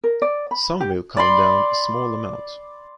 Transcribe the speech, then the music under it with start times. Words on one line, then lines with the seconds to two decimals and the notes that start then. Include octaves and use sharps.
Some will come down a small amount.
0.04 A#4
0.22 D5
0.51 B5
0.80 G4
1.17 D5 B5 C6